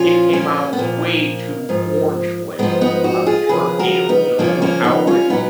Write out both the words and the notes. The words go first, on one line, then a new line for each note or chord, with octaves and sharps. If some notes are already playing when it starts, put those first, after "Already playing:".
it came out way too orange-flavored on the turkey. It was overpowering.
Already playing: A#2 F3 C#4 F4
A#3 C#4
B3
A#2 F3 A#3
G#2 F3
G#2 F3 G#3 B3
B3 D#4
D#4 F#4
F4 G#4
D#2 C#3 F3 G#4 B4
F#4 A#4
B3 D#4
D#2 C#3 F3 A#3 C#4
A#3 C#4
B3 D#4
C#4 F4
A#2 F#3 B3 D#4